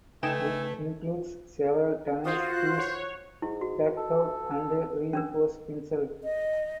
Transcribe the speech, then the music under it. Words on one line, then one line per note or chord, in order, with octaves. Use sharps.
It includes several tunnels Heist dug out and reinforced himself.
C#3 A3 D#4 B4 G5 G#5 E7
F4 F#4 C5 D#6
F#6
C#5
G#2 E4
F#4
A4
C#4 D4 A#4
D#5